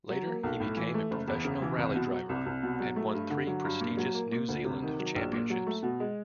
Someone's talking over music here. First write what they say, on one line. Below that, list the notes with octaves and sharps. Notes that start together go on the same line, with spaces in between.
Later, he became a professional rally driver, and won three prestigious New Zealand championships.
F#3
A#3
B1
A2
E3
A3
F#1
E2
C#3
E3
C2
B2
F#3
C2
C2
B2
F#3
A3
G2
D3
F#3
G2
A#2
F#3
A#3
A#2
D2
C3
D#3
F#3
A#1
A#2
F#3
A3
B2
G#3